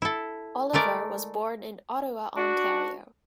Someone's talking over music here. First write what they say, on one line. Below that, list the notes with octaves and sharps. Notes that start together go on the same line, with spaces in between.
Oliver was born in Ottawa, Ontario.
E4 A4
G#3 A3 A#4 D5
D4 F#4